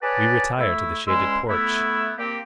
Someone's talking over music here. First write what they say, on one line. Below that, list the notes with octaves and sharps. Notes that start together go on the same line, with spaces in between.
We retire to the shaded porch.
G#4 B4 C#5 D5 F#5 A5
A3 E4
D2 G#3 C#4 E4 C6 E6
A3 B3 E4
A#3 C4 G4